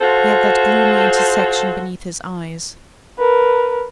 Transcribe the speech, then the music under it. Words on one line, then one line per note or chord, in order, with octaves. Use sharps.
He had that gloomy intersection beneath his eyes.
F4 F#4 A4 C5
A#4 B4